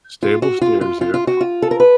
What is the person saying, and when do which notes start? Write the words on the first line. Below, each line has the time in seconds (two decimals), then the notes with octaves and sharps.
stable stairs here,"
0.23 F4
0.42 F#4
0.61 F4
0.81 F4
1.01 F4
1.14 F4
1.27 F#4
1.41 F4
1.62 A4
1.71 A#4
1.80 B4